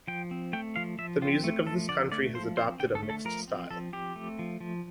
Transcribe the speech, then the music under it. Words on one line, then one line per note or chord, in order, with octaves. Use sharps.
The music of this country has adopted a mixed style.
F3 G5
C4
A3 G5
F3 F5
F3 E5
C4 F4
A3
F3 A4
D3 D5
A3 D5
F3 C5
C4 C5
D3 G5
A4
A3
A4
F3 A#4
C4
F3 A4
C4 G4
A3
F3
F3